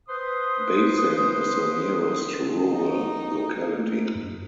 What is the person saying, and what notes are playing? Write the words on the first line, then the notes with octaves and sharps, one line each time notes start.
Basim is the nearest rural locality.
B4 C5 C6 D#6
D#4
A3 A#3 F4
F#2